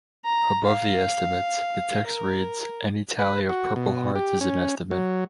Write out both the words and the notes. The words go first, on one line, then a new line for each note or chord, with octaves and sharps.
Above the estimates, the text reads, Any tally of Purple Hearts is an estimate.
A#5
F5
A#4
B4
F#4
B2
G4
C#4
F#3